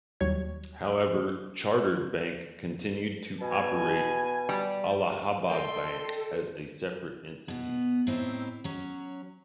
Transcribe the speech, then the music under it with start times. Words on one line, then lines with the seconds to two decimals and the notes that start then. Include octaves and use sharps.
However, Chartered Bank continued to operate Allahabad Bank as a separate entity.
0.20 D#2 F#3 G3 C#5 G#6
3.41 B2 G#5
4.49 G3
5.50 A4 A#4 D5 D#5 G5 C6
7.48 B2 B3
8.07 A2 C4 D#4 E4
8.64 F#3 C#4